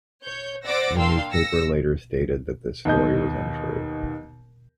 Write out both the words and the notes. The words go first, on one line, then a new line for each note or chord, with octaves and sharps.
The newspaper later stated that this story was untrue.
C#5 G6
C5 D5 F#5 D6 E6 A#6
A#3 D4 F5 G5 C6 E6
E6 A#6 C#7
D#2 B2 D#5 G6